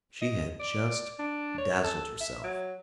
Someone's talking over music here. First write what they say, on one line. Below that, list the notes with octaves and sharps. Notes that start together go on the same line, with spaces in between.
She had just dazzled herself.
D#5
D5
D4
C#5
A4
E5
F#3